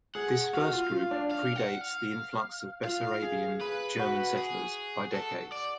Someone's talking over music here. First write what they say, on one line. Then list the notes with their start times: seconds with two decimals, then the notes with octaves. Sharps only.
This first group predates the influx of Bessarabian German settlers by decades.
0.15 G#4 F#5
0.53 F#4 F5
0.73 F4
0.92 F4
1.11 D4
1.31 F5
1.56 F#5
1.81 F5
2.84 F4 F5
3.22 G#4
3.61 G#4 B4
3.99 F#4
4.37 G#4
5.14 A4
5.52 D5